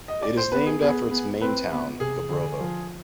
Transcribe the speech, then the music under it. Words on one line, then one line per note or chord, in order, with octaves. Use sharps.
It is named after its main town - Gabrovo.
D#5
D5
C5
B3 B4
G#4
B3 G#4
B3
C4 B4
B3
C3 G#4
D3
F3